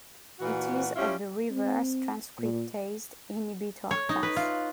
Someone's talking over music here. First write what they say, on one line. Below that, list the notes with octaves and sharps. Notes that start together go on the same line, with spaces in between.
It is of the reverse transcriptase inhibitor class.
A#2 E3 F#4
G3 C#4 E4 F4
C4
A#2
C#5
D#4
B4
F4